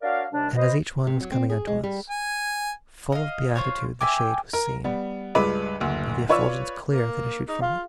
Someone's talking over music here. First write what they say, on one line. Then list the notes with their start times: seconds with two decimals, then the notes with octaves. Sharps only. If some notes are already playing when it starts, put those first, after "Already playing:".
And as each one was coming unto us, Full of beatitude the shade was seen, By the effulgence clear that issued from it.
0.02 D4 F#4 A#4 C#5 D5 F5
0.32 D#2 C3 G3 D4
0.55 B4 C5 D#5
1.07 C3
1.20 F#3
1.32 C4
1.50 G#4
1.67 G#3
1.84 G3
2.09 G#5
3.12 D#5 F5
3.55 F4 C5 C#5
4.01 E5 G5 G#5 D6
4.53 A#4
4.84 G3 B3
5.35 C#2 G2 G#3 B4 D6
5.80 F#1 D2
6.29 F4 B4 C#5 D5 C#6 E6
6.88 A#3
7.48 D#4 G#4
7.62 F4 F5